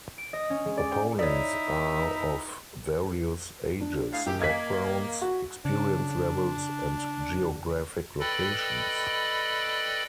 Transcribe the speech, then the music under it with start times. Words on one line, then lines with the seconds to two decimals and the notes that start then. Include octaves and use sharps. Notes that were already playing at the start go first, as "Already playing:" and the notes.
Opponents are of various ages, backgrounds, experience levels, and geographic locations.
0.18 D7
0.33 D#5
0.50 C#4
0.65 G#3
0.77 D5
0.91 G5
1.19 D#4 E4 C#5 D5
3.81 D4
4.12 A2 G#4 F5
4.26 F#2 G4
4.39 A#3 D#5 G#6 B6
5.22 F#4
5.65 C#3 D4
8.20 A4 B4 D5 D#5 G5 B5